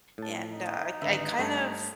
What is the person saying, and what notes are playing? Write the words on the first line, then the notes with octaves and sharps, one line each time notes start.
and I I kind of
A2 A5
D#4
G#1 D3 B4 E5
G2 A3 A5